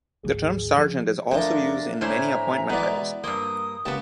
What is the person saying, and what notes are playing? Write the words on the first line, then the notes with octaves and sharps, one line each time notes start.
The term "sergeant" is also used in many appointment titles.
G#1 D2 F#3 G#4
F3
F2 A3 D4 F4 A#4
A2 D4 C5 C#5 E5 G#5 A#5
B2 E3 G#3 B3 D5
G2 A#3 C5 A#5 D#6
C#2 A#3 B3 G4 A5